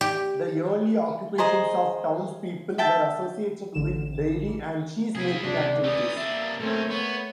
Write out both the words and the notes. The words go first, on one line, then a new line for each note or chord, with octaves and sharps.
The early occupations of townspeople were associated with dairy and cheese-making activities.
G4
G#4 C5 D#5 A#5
E5 G5 A5
A1 D3 E7
G#2 C3 F#3 B3 E4 G#4 B4 F5
C#2 C3 D4 D5
E3 A3 D#6
C3 A#3 D4 E5
B1 A3 C4 C#4
B3 C#5